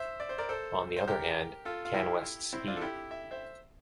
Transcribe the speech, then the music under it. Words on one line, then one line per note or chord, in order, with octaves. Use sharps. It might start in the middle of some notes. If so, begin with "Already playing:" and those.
On the other hand, Canwest's E!
Already playing: C5 E5
D5
C5
A#4 D5
A4 C5
C5
G4 A#4
F4 A4
F4
E4 G4
C4 E4
D4 F4
A4
E4 G4
E5
C5 E5